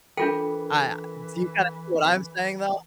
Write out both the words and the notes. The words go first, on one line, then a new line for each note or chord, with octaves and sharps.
I do you kinda see what I'm saying, though?
E3 D4 F4 A4 A#4 G5